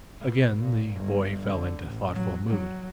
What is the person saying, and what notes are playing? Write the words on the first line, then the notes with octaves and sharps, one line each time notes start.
Again the boy fell into a thoughtful mood.
B2
A#2
G1
D3
A1
F#3
F#3